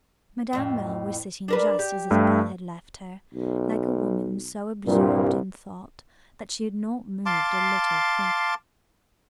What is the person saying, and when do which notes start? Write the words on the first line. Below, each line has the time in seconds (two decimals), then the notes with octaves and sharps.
Madame Merle was sitting just as Isabel had left her, like a woman so absorbed in thought that she had not moved a little finger.
0.53 F2 A2
1.48 D4 A#4 B4
1.79 G4
2.11 G2 A3
3.34 B1
4.86 C2 G2 A#2
7.26 F5 A5 C6 D6